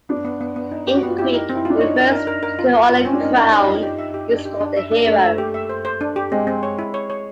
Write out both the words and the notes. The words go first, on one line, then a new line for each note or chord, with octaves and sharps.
In Greek it refers to the olive crown used for the hero.
B3 D4
B3
B3
B3
D#4
G4
F#4
B3 F4
E4 G4
D#4 A#4
C4
E4
F4
D4
D#4 C#5
A#4
A#4
A#4
A#4
F4
A#4
F4
C4 C#4
D4
D#4 A#4
A#4
D#4 C#5
F4
G4
E5
G4
D4
G4
D4
E5
D4
A#3
A3 D4
E5
G4
E5
C5
C5
D4
G4
G#3 C4
C4
C#5
E4
C#5
C#5